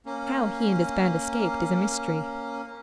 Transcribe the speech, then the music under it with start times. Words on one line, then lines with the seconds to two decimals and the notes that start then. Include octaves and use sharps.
How he and his band escaped is a mystery.
0.06 A#3 C#4